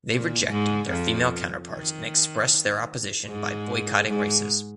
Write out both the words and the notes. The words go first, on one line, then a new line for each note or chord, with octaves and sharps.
They rejected their female counterparts and expressed their opposition by boycotting races.
A#2 A#3
G#2 G#3
F2 F3
D#3
G#2 G#3
G#2 G#3